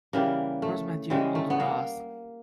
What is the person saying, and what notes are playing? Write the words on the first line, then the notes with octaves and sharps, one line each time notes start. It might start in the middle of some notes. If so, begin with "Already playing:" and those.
Where's my dear old Russ?
C#3 E3 G3 A#3
A3
C#3 E3 G3 G#3
A3
B3
A#3